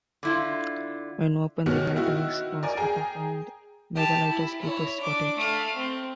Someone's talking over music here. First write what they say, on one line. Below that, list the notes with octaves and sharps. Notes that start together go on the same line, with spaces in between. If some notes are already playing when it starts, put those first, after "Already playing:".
When opened, the lighthouse was accompanied by the lighthouse keeper's cottage.
D3 E4 F4
B2 D#3 B3 C#4 F#4 G4
D#3 E4 F#4
A#4 D5 G#5
G#4 G5 G#5 A#5
G4 A5
E4
E4 C#5
D4 D6
A3 F5
C4